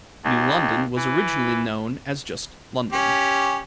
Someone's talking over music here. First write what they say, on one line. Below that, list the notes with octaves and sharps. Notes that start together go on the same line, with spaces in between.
New London was originally known as just "London".
D#2
E3
C#4 G4